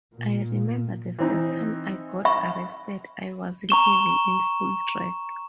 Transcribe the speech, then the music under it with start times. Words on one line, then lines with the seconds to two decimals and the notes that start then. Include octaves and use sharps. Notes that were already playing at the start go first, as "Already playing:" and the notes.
I remember the first time I got arrested, I wasn't even in full drag.
0.12 A#2
1.19 E3 C4 D#4
2.25 E5 B5 C#6
3.69 A#5 C#6 E7 G7